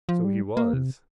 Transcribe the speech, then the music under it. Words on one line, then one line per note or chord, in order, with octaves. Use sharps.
So he was.
F3
G3
A#3
C3